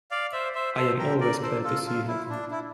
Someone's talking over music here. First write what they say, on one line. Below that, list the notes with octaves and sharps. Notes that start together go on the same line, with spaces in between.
I am always glad to see him.
D5 F5
C5 E5
C5 E5
A4 C5
G4 A#4
A#4 D5
A4 C5
F4 A4
F4
E4
D4
E4